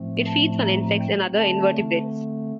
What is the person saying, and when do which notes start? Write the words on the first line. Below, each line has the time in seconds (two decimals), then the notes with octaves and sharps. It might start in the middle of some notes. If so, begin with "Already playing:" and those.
It feeds on insects and other invertebrates.
Already playing: A2 F3 A3 C4
0.26 A5
0.63 A#5
0.99 G5
1.36 D3 A3 C4 A5